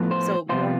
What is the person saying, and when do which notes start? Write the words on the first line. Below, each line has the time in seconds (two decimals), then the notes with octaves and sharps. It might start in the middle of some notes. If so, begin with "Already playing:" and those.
So, more
Already playing: A2 F3 B3
0.11 C5
0.49 C3 F3 B3 F4 C5